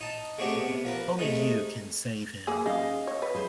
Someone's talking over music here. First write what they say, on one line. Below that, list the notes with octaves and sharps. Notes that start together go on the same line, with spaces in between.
Only you can save him.
D#4 A5
G#3 A3 C4 D4 F#4 G4
C3 B3
F3 A#4 B4
C3 G#3 A3 D#4
A#3 G#4
C#4 D#4 G#4 D#5 F5
C#5
B4
G#4 C5